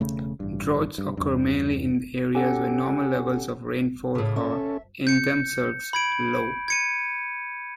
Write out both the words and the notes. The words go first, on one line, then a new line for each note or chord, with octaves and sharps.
Droughts occur mainly in areas where normal levels of rainfall are, in themselves, low.
E1 C#3 A3
A1 G2
G2
E2 G2
C#4 G4 A4 F#5
A2 C#3
C#4 A4 E5
G6 C#7
B5 G#6 D7
G#6 C#7 D#7